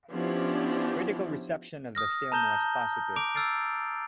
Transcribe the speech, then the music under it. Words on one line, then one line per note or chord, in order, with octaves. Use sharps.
Critical reception of the film was positive.
F3 B3 C#4 D4 E4 G4
D#6 F6 A#6
A5 A#5 G6 G7
D6 D7 F7
E6 F6 A6 C7 D7